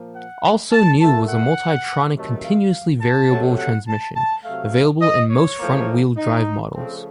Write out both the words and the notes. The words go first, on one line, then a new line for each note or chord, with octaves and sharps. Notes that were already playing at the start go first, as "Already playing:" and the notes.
Also new was the multitronic continuously variable transmission, available in most front-wheel drive models.
Already playing: A#2 F3 A#3
F#5
A5
A#2 A3 A5
F#5
C3 D#3 F#3 A3
F5
A5
C3 F#3 A3
F#5
A5
A5
C3 F#3 A3 F5
D#5
C#5
A2 F3 A#3
D#4
C#3 F3 A3 C4